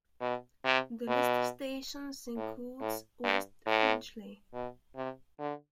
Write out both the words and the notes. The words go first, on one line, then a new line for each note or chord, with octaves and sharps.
The list of stations includes West Finchley.
B2
C3
B2
A2
A2
G2
A2
B2
C3
D3